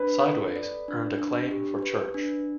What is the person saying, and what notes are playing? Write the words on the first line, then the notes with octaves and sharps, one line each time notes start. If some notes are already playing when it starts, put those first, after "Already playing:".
"Sideways" earned acclaim for Church.
Already playing: D4 B4
A4
D5
D4
D4
G4
B4
D4